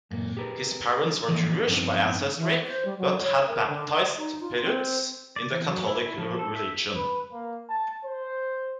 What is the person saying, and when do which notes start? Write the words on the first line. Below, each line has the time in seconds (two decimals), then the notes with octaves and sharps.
His parents were Jewish by ancestry, but had baptised Perutz in the Catholic religion.
0.11 F#2 A#2 A#3
0.37 G4 G#4 A#4 B4
1.28 E3 F3 A#3 F4 A4 D#5
1.67 G2 F3 B3 C4 D4 D#4
2.36 E3
2.67 C5
2.85 G3
2.98 F#3
3.21 C#5
3.47 A#4
3.67 D3
3.90 D5
4.17 D#4
4.41 F4
4.62 C4
5.36 D5
5.51 E3
5.68 F#3
5.87 E4
6.06 E4
6.18 F3
6.39 A4
6.55 E5
6.95 B4
7.32 A#3
7.69 A5
8.04 C5